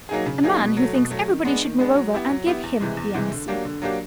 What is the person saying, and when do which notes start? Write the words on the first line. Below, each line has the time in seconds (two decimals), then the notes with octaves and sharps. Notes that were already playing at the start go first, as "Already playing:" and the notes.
A man who thinks everybody should move over and give him the end seat.
0.09 F#3 A#3 D#4 G#4
0.26 C#3
0.43 F#3 A#3 D#4 G#4
0.60 B2
0.77 F#3
0.82 A3
0.94 B2
1.10 F#3 A3
1.28 D#3
1.45 G#3 B3 D4
1.62 D#3
1.79 G#3 B3 D4
1.95 F#3
2.13 B3 E4 G4
2.29 F#3
2.46 B3 E4 G4
2.63 E2
2.80 C3 E3 G#3
2.97 E2
3.14 C3 E3 G#3
3.31 D3
3.48 F#3 A#3 D4 G4
3.65 D3
3.82 F#3 A#3 D4 G4